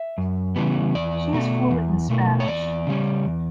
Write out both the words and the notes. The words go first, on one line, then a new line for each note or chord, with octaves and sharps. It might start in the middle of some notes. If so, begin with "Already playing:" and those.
She is fluent in Spanish.
Already playing: E5
F#2
C#3 E3 G3 B3
E2 D5
B2 A3
E2
B2 A3
C#5
E2 D5
C#3 G3 C#4
E2